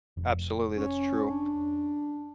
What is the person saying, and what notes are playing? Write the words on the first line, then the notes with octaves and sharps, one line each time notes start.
Absolutely, that's true.
F1
C#4
D4